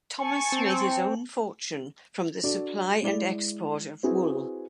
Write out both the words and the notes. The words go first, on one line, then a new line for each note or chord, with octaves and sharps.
Thomas made his own fortune from the supply and export of wool.
G#5 A5 C#6
C4
D4 F#4 A4 D5
G#3 E4 D5 G7
C4 E4 F#4 G#4 B4